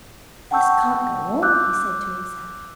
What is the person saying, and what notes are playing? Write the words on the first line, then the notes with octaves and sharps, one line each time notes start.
'This can't go on,' he said to himself.
F#5 G5 A5 C#6 E6 G6
D6 E6 F#6 G6